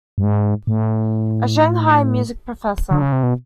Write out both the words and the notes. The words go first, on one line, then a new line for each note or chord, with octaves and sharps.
A Shanghai music professor.
G2
G#2
A2
D3
C#3
C3
B2